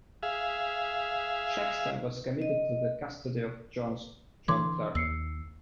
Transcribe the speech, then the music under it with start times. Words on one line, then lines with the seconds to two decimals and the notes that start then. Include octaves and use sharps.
Shaxton was committed to the custody of John Clerk.
0.23 G#4 E5 F5
2.42 D#5
4.48 D3 E3 C6 D6 G#6
4.95 D#2 E6 C7 C#7